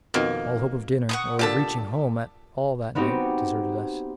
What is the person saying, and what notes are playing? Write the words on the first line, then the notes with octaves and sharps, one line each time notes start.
All hope of dinner, or of reaching home at all that night, deserted us.
F2 B2 D#3 A#3
F#5 C#6 D#6
A#2 D3 G4 A5 E6
B3 C4 D#4 F#4 G4